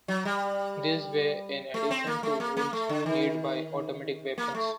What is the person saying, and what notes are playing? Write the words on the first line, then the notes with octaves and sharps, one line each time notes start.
These were in addition to wounds made by automatic weapons.
F#3
G3
A3
C4
A#3
A3
A#3
A#3
A3
D3
D#3
A#3
A3